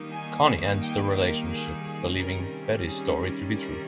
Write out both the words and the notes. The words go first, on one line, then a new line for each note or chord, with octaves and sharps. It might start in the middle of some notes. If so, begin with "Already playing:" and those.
Connie ends the relationship, believing Betty's story to be true.
Already playing: D#3 G3 A#3 D#4
G#5
G5
A#4
G#4
G#4
C3 D#3 G3 C#4 A#4
G#4
A#4
A#4